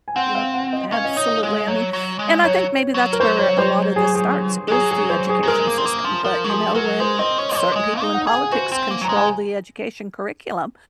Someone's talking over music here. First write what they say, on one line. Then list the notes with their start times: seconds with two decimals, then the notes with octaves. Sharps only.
Yup, absolutely, I mean and I think maybe that's where where a lotta this starts, is the education system, but, you know, when certain people in politics control the education curriculum,
0.08 G#5
0.16 C4 F#5
0.35 F5
0.54 F#5
0.73 D#5
0.92 C#4 F5
1.05 D#5
1.16 D#4 C#5
1.28 D#5
1.43 G#3
1.68 F#3 C#5
1.93 F#3
2.19 G#3
2.43 F#3 C#5
2.94 F#3
3.13 A#4
3.20 F#3 C5
3.39 C#5
3.58 C5
3.96 G#4
4.15 G#4
4.68 G#3
4.71 F#3 G#4
4.91 G#4
5.10 C5
5.29 G#4
5.43 F#3
5.48 G#3 A#4
5.67 A#3
5.78 C4
5.85 A#3
6.05 F3
6.24 F3 A#4
6.44 F#3
6.49 F3 G#4
6.75 F#3 A#4
7.00 G#3 C5
7.19 C4 D#5
7.38 C#4 C#5
7.52 D#5
7.57 F3 C#5
7.72 A#3
7.76 G#3 D#5
7.95 F5
8.02 D#4
8.14 F#5
8.27 G#4
8.33 G#5
8.52 F#4 C5
8.72 C4
8.90 A#3
9.01 F#3
9.04 G#3 A#5
9.17 G#5